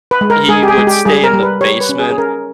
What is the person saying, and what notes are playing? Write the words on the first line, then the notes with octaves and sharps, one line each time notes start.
he would stay in the basement
B4
G#3
A#4
G#3 G#4
G4
G#4
G#3
G4
G3 G#4
A#4
G3
B4
G4 C#5
B4
C#4
G#4
G#4
C#4 A#4